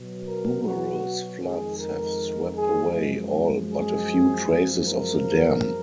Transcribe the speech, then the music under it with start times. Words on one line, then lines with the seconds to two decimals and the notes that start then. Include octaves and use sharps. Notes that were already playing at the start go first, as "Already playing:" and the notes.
Numerous floods have swept away all but a few traces of the dam.
Already playing: B2 F#3
0.26 A#4
0.64 F#4
1.41 F2 D#3 G#3 G#4
1.79 A#4
2.56 G#4
2.93 F#2 F3 G#3
3.71 G#4
4.47 F#2 F3 G#3
4.85 A#4